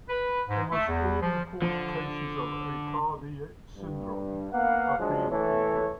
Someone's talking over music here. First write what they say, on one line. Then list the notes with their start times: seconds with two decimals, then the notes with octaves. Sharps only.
Almost all reported cases of Aicardi syndrome have been in girls.
0.09 B4
0.48 G#2
0.72 A3
0.87 E2
1.20 F3
1.62 D3 F3
3.76 G2
4.53 A#3 B3 F5 F#5
4.99 F3 F#3 G#3 D4
5.31 E3 A3 A4 C#5